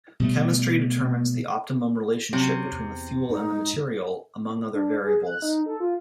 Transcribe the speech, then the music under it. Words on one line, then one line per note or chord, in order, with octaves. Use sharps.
Chemistry determines the optimum relationship between the fuel and the material, among other variables.
B2 G3 A3
C3 F#3 C#4
E2
G#2 D#4
D4
G#4
F#6
D#4
A4
F4